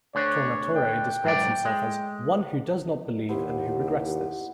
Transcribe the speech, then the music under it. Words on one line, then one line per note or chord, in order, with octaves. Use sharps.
Tornatore describes himself as "one who does not believe and who regrets this".
D2 D3 D4 C#5
G5
G#2 F#3 D5
G#3
D#2 B3 E4 G4 C5